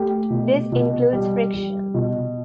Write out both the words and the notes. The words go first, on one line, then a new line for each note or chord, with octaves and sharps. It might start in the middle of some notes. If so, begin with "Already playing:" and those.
This includes friction.
Already playing: A3 G4
B2
B2
G3
G3
B2